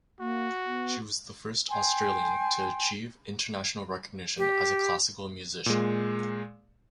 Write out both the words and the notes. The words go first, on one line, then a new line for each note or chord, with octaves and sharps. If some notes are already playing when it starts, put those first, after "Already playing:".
She was the first Australian to achieve international recognition as a classical musician.
A#3 F#4
B3
G5 G#5 C6
G4
A#2 G#3